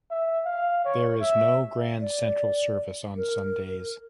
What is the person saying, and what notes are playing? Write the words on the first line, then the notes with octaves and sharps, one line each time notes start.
There is no Grand Central service on Sundays.
E5
F5
C#5
E5
D5
A#4